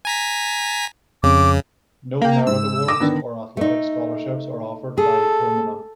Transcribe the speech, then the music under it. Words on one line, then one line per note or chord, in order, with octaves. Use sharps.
No merit awards or athletic scholarships are offered by Pomona.
G#5 A#5 B6
F2 C#3 D6
A#3 F5 G5
G#2 E6
D6 D#6 A#6
D3 D#3 B3
A3 D#4
G#4 A4